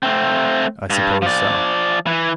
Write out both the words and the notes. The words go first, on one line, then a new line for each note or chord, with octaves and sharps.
"I supposed so."
A3 C4
G2
F3 D5
E3